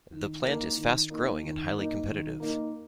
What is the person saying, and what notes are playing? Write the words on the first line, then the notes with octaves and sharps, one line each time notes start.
The plant is fast-growing and highly competitive.
D#3
A#3 D#4
D#3
A#3 D#4
D#3
A#3 D#4
D#3
A#3 D#4